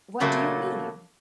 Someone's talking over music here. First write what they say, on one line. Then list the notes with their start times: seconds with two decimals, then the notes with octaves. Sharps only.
"What do you mean?"
0.20 A#2 C#3 F#3 A3 A#3